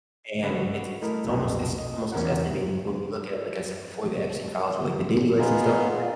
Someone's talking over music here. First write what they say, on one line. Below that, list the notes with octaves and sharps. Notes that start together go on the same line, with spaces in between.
And it's it's it's almost, it's it's almost disgusting. I mean, when we look at, like I said before, the Epstein files or, like, the daily lists and stuff like that,
D3 C#4 B4 D#5 F#5
F#4
A3 E4 A#4 D#5
B1 F2 A#2 F#4 D#5
D#5
E2 C#4 A#4 F#5
B3 D#4 F4 G#4